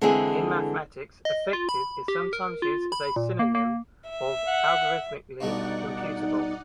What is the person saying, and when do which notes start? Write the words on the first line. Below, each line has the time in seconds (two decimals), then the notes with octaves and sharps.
In mathematics, "effective" is sometimes used as a synonym of "algorithmically computable".
0.01 D3 E3 G#3 C4 E4 G#4
1.25 D#5
1.53 F4
1.69 B5
2.08 G4
2.33 A#4
2.62 F4
2.92 B5
3.16 A#2
3.39 A#3
3.55 A#3
4.10 E5
4.47 F#5
5.41 G2 B2 A3 D#4 D5 F#5